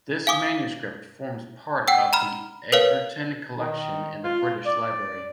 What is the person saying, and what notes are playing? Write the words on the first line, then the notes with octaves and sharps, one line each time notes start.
This manuscript forms part of the Egerton Collection in the British Library.
F5 G#5 D6 D#6
F#5 G5 E6
A#5 B5 F6
A#4 B4 C#5 F5
D#3
F4
D5